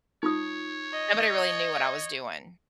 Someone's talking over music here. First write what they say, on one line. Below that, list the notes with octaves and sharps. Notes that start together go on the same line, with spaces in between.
Nobody really knew what I was doing.
D#4 F4 C#5 D#6
D#5